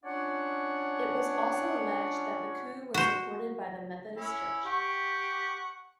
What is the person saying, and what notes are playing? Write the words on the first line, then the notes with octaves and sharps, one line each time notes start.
It was also alleged that the coup was supported by the Methodist church.
C#4 D4 F4 C#5 D5 F#5
F#4 C5
C#4 E4 B5
G4 F#5 C#6